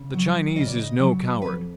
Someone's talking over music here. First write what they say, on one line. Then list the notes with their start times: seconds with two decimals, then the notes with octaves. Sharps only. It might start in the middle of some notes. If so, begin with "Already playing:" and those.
The Chinese is no coward.
Already playing: C#3
0.14 F#3
0.56 C#3 D#5
0.67 D5
0.79 D#5
0.99 F#3
1.42 F2 B4